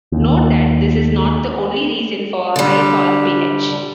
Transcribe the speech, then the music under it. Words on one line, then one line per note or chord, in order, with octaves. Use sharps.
Note that this is not the only reason for a high soil pH.
D#2
D3 G3